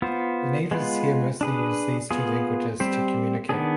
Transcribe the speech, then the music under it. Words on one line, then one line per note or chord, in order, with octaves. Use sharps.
The natives here mostly used these two languages to communicate.
B3 F4 C5
G#3 B3 F4 B4
D4 G#4 B4
B3 F4 G#4
G3 C4 G4 C5
D#3 B3 D4 G#4